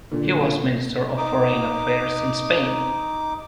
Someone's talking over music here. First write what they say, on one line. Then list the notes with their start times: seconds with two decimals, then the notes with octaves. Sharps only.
He was minister of Foreign Affairs in Spain.
0.12 A#2 D3
1.17 D#4 D6